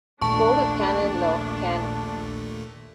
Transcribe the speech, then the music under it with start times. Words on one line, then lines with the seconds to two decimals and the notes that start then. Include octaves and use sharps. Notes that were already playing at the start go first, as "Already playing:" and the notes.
"Code of Canon Law", can.
0.21 A#1 D#2 A#2 A3 D4 A5 C#6